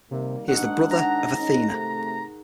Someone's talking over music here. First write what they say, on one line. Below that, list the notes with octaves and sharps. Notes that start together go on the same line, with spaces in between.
He is the brother of Athena.
C3 D#3 G3 A#3
G#2 D#3 D4 D#4 F#5
F#5 A#5
C#4 D#4
C3 A3